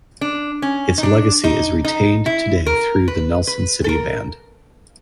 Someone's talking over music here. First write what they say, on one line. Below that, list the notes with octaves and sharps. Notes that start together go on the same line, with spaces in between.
Its legacy is retained today through the Nelson City Band.
D4
C#4
D#4
D4
D#4
D#4
E4
A#4
B4
B4
A4
A#4